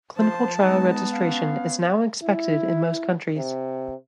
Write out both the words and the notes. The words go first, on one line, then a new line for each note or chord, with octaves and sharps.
Clinical trial registration is now expected in most countries.
F3 C5 A5
G#3 B3 D#4
C#4 F5
E4
C3